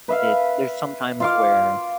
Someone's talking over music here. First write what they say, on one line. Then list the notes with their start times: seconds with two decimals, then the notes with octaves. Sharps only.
it there's sometimes where,
0.08 B4 E5 F5
1.20 F4 F5 D6